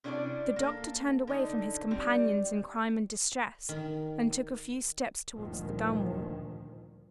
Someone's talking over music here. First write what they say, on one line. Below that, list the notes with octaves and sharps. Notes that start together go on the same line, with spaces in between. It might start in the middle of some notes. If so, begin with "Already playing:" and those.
The doctor turned away from his companions in crime and distress, and took a few steps towards the gunwale.
C3 C#4 D4 E4 G#4 D5
A#3 A4
D3 D#4
G3 C4
D#3
D2 G2 A#2 D#3 F3